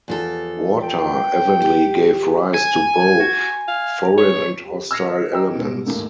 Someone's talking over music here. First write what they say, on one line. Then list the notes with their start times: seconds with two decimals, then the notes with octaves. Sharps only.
Water evenly gave rise to both foreign and hostile elements.
0.08 E2 F3 A4
0.83 G5
1.62 G4
2.54 G#5
3.19 F#4
3.68 F5
4.18 C#5
4.64 G4
4.91 E6 F6 G#6 A#6 C7 C#7
5.04 D#5
5.32 D#5 G5 A#5 E6
5.55 G#2 B2
5.86 A1 D#2 G#2 A#3 A4